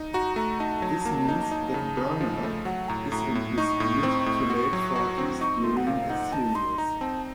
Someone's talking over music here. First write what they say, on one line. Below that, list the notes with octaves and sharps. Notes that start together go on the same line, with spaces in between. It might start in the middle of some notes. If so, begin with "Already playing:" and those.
This means that Bernard is in his mid- to late-forties during the series.
Already playing: D#4
F#4 A#5
A3 A#5
D#4 A5
F#3
A#3
D#4
D#4
C#3
C#3
F3
A3
F#3 F#5
A2 A#5
A2 A#5
A2
D#4 C#6
A2
C4
A2
F#4
F#3
F#4
C4
D#4 C#6
A3 C6
F#5
A#2 F5
D#4 F#5
D#4 A5
D#4 C6
D#4 A#5
C4 A5